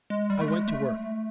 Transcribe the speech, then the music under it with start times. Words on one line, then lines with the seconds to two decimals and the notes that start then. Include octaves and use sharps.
I went to work.
0.10 G#3
0.30 G3
0.41 A3
0.48 G#3
0.68 A3